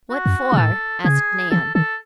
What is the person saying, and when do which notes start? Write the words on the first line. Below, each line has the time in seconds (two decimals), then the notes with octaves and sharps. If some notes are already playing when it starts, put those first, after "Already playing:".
"What for?" asked Nan.
0.10 F#4
0.26 F#2
0.52 C3
0.57 A2 A4
1.05 C#3 G#4
1.51 E3 A4
1.75 D#3 A4